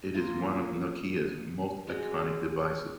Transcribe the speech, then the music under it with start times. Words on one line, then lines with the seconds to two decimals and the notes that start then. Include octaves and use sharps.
It is one of Nokia's most iconic devices.
0.14 A#3 F4 A#4
1.87 G#3 C#4 F#4